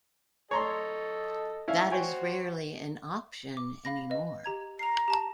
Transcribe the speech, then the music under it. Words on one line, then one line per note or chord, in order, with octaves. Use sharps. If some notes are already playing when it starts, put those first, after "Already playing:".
That is rarely an option anymore.
A4 C#5 D#5 A#5 C6
C#4 E4 F5
F#4 C5 C#5 G5 G#5
D6
F5 B5 A#6
B4 D#5
G4 A#5 G#6
A#5 C7 F7
G4 A5 E7